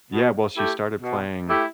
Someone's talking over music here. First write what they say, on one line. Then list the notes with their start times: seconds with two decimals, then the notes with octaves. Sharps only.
Yeah, well, she started playing
0.11 B2
0.56 A3 E4 G4
1.02 B2
1.47 A3 E4 G4